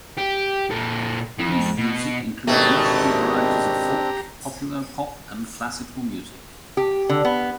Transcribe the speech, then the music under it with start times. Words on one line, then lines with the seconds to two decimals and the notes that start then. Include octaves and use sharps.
Indian music includes multiple varieties of folk, popular, pop, and classical music.
0.18 G4
0.71 A#2 A4
1.39 F2
1.78 B2
2.47 G#1 B2 A3 C4 D4 G4 A#5
6.77 G4
7.09 D3
7.25 B3